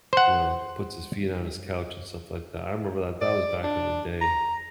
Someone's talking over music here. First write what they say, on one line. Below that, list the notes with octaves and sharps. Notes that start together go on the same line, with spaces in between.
you know, puts his feet on his couch and stuff like that. I remember that that was back in the day.
C5 F#5
D5
D4
A#5